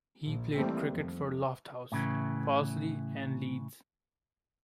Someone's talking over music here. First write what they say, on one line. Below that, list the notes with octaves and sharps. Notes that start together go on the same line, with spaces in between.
He played cricket for Lofthouse, Farsley and Leeds.
A#1
D#3 E3 G3 A3 A#3 C4
F2
A2 C#3 E3